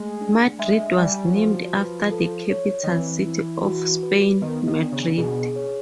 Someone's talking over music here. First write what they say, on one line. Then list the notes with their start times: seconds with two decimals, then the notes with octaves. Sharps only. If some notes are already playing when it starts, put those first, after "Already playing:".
Madrid was named after the capital city of Spain, Madrid.
Already playing: G#3 A3
0.21 D4
0.59 G#3 E5
0.97 G3 G#5
1.26 F#3
1.36 F3 F#4
1.74 B4
2.12 A4
2.50 C#5
2.83 D#3
2.88 E3 C4
3.26 E4
3.64 F#4
4.03 B4
4.41 D#3 B3
4.67 D#3
4.79 D4
4.92 C#3
5.18 B2 G#4
5.56 C#5